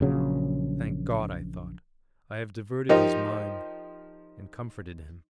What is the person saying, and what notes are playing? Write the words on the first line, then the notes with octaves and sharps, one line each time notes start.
Thank God, I thought, I have diverted his mind and comforted him.
A#1 C#3 F#3
F3 D#4 G4 A#4